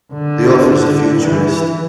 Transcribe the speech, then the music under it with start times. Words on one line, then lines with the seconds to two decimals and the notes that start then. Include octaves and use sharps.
The author is a futurist.
0.13 D3
1.21 E3